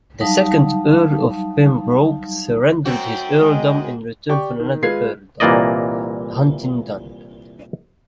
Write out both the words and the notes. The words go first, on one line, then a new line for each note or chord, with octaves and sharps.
The second Earl of Pembroke surrendered his earldom in return for another earldom, Huntingdon.
F#3 G3 D#4 F5 A5 D#6
F#2 C4 F#4 G5
G#3 D#5
G4 D5 G5 C#6
D#3
G#3 F4 B4 G#6 C7
C2 A#2 E3 A#3 D5 D#5